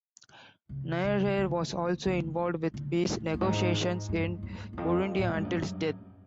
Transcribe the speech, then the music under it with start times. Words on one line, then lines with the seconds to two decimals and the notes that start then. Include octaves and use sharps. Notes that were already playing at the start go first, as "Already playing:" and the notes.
Nyerere was also involved with peace negotiations in Burundi until his death.
0.69 C#3
1.04 C#3
1.27 D#3
1.38 D3
1.72 D#3
2.06 D3
2.74 D3
3.08 A2
3.34 G2
3.41 G#2
4.09 G2
4.43 F#2
4.73 E2
4.77 F2
5.19 A2
5.28 G#2
5.36 G2
5.45 F#2